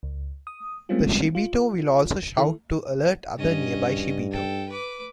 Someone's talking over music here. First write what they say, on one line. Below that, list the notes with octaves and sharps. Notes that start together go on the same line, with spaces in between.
The Shibito will also shout to alert other nearby Shibito.
C#2
D#6
G3 G#3 A#3 C4 C#4 F4
F4
D#3 E4 A4
G2 C#4 D#5
A4 G5
B4 D6